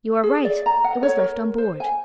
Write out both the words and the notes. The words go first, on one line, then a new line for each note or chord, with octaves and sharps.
"You are right; it was left on board."
G#4
D5
A#5
F#5
C#5
A#4
C5
G#5